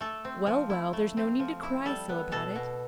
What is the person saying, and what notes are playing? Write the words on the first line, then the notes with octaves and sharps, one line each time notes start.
"Well, well, there's no need to cry so about it."
A3 A4
C4
F3
E4
A3
C4
F3
E4
G3 A4
B3
B2 A4
B2